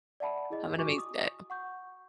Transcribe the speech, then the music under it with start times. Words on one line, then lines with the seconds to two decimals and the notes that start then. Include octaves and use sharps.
Have an amazing day.
0.20 D5 E5 F#5 A5 B5
0.50 E4 G#4 D#5
0.78 F4 F#4 G#5 C#6 D6
0.98 D#6
1.50 F#5 C#6 G6